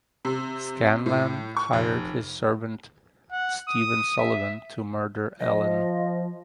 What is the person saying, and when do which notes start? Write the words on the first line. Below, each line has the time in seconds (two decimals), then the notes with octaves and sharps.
Scanlan hired his servant Stephen Sullivan to murder Ellen.
0.25 C3
1.06 A2
1.57 C#6
1.73 F1
3.31 F#5
3.68 D#6
4.18 E5
5.40 F3 D#5